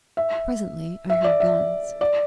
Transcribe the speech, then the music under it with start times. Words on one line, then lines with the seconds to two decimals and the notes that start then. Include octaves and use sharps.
'Presently I heard guns.
0.17 E5
1.10 E5
1.24 D5
1.40 E5
2.01 D5